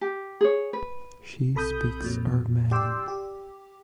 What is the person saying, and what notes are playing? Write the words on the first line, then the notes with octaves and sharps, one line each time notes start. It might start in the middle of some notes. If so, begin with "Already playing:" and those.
She speaks Armenian.
G4
G#4 C#5
B4
B1 C3 A4 B5 D#6 G6
F2 A#2 F#3
G4 D5 G5 C6 E6
G4